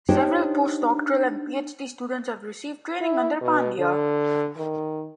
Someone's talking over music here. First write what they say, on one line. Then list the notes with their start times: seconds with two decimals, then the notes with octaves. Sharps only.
Several postdoctoral and Ph.D. students have received training under Pandya.
0.09 D4 D#4 G4 C5 C#5
3.01 E4
3.41 B2
3.79 D3
4.57 D#3